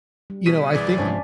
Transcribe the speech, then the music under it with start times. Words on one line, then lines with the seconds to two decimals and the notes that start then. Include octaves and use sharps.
you know, I think
0.30 G3
0.46 B2 B6 D#7
0.74 C2 E3 G#4 D5
0.98 G#2 C3 F3 C#4 D4